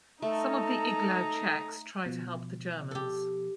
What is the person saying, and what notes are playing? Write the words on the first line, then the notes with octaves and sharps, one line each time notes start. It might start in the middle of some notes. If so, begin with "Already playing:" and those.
Some of the Iglau Czechs try to help the Germans.
A3 D#4 A4 A#5
B2 F3
G4 A4